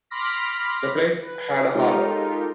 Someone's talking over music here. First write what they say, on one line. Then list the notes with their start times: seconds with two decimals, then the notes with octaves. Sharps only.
The place had a harbour.
0.10 B5 C6 D6 F6 A#6 B6
1.22 B4
1.74 G#3 D#4 F4 G4 A4 A#4